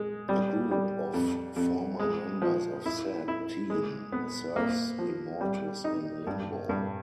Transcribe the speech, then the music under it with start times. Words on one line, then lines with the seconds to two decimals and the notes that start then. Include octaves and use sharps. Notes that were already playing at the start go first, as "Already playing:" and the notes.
A group of former members of said team serves Immortus in Limbo.
Already playing: G#3
0.29 G3
0.71 G3
1.14 F2
1.56 F2
1.99 G#3
2.42 F3
2.86 E4
3.28 E4
3.70 G#3
4.12 B3
4.56 A#3
4.99 F3
5.41 G3
5.84 D#4
6.27 G2
6.69 G2